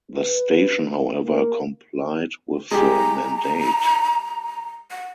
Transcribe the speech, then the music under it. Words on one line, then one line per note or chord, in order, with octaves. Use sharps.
The station, however, complied with the mandate.
B4
A#3
G#3 G4 A#5
F#5